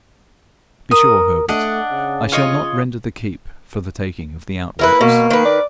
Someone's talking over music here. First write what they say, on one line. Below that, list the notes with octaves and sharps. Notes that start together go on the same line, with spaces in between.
Be sure, Herbert, I shall not render the keep for the taking of the outworks.'
A#4 D#6
A3 D4 D#5 F#5
C#3
F4 C#5 D#5
A#3 E4 B4
B2 A#3
D#3 B4
D5